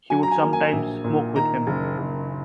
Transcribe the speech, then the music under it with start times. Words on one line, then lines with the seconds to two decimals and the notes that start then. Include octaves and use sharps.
She would sometimes smoke with him.
0.10 F#3 G#5
0.23 A#5
0.31 G#5
0.42 A#3
0.53 G#5
0.73 A#1
1.04 A#2
1.35 D#3 A#5
1.67 F#1
1.98 F#1